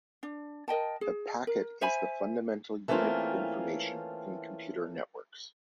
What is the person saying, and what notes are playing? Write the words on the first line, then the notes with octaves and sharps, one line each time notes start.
The packet is the fundamental unit of information in computer networks.
D4
A#4 D#5 G5 A5
G#4
A#4
C5 E5 G#5 B5
E3 A3 A#3 C4 C#4 F4